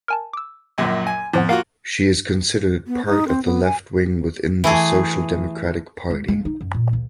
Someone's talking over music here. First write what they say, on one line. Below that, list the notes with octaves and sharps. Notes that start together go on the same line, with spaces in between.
She is considered part of the left wing within the Social Democratic Party.
A#4 G#5 A5
D6 E6
A#1 F#2 A#2
G#5
F2 A2 F3 B3
A#3 F4 F#4 A#4 F5 F#5
B3
D#4
C4
B3
G#5
E3 A3 G#4
G#3
G#3 A#3
D#4
F#2
A#2
D2